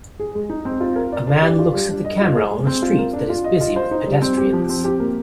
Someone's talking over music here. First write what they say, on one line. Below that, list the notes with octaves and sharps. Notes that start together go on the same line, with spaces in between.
A man looks at the camera on a street that is busy with pedestrians.
G#4
G#3
D#4
C4
F4
A#4
D5
D4
G4
F4
G3
D4
D#5
F4
G#4
G#3
C4
F4
A#4
D4
F4
D#5
F4
C5
D#4
G3
C4
G4
F3
C4
G4
A#3